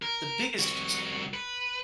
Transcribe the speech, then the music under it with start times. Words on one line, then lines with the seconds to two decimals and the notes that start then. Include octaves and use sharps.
the biggest
0.02 A#4
0.59 C2 F#4
1.34 B4